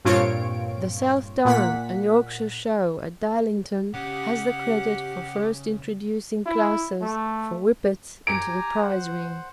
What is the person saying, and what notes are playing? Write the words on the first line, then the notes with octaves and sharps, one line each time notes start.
The South Durham and Yorkshire Show at Darlington has the credit for first introducing classes for Whippets into the prize ring.
G2 A#2 C4 F4 C#5 D7
A#2 F#5 B6
C#3 G4 F#5
E4
A3
G4 G#5 A#5 D7
C5 F#5